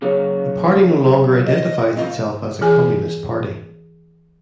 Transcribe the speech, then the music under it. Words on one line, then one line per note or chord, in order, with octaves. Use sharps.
The party no longer identifies itself as a communist party.
C#3 F#3 A#3 G#4 C#5
D#5
G2 C4 F4 D#5
E3 G#4 G#5